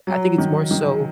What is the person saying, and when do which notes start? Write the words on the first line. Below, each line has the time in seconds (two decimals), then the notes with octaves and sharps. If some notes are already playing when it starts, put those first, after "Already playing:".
I think it's more so
0.07 F#3
0.38 D#3
0.71 D#3